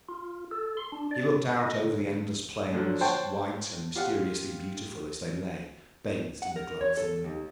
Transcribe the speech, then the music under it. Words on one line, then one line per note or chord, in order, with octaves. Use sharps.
He looked out over the endless plains, white and mysteriously beautiful as they lay bathed in the glow of the moon.
F4
A4
C6
D4
D5
C3
D#5
D3
A#2 D3 F3 F#3
C5 C#5 F#5 G5 A5
F4 G4 F5 F#5
F#5
A#4
C#5
A4
D#2